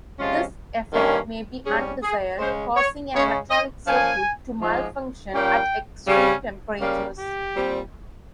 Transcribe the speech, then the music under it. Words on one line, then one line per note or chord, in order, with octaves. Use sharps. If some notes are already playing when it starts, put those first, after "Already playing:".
This effect may be undesired, causing an electronic circuit to malfunction at extreme temperatures.
C3 F3 G#3 C#4 F4
G2 D#3 A#3 C#4
G#2 G3 C#4 G#4
G#4
C#3 G#3 C#4 C5
C#5
C#3 G#3 C#4 C#5
D#5
A#2 F3 A#3 C#4 G#5
G#2 F3 G#3
A#2 G3 A#3 C#4 G5
C#3 G3 C#4
C#3 G3 A#3 C#4 F5
G4
A#2 G3 C4